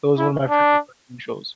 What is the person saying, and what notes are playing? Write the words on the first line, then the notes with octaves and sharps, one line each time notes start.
that was one of my favorite cartoon shows.
E4
D4